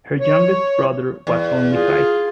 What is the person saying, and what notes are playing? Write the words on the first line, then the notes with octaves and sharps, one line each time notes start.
Her youngest brother was only five.
C#5
E2
F4 G#4